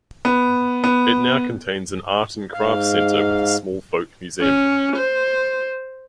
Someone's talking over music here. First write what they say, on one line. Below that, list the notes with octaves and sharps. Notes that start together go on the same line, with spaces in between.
It now contains an art and craft centre with a small folk museum.
B3
B3
G#2 F5
C#4
C5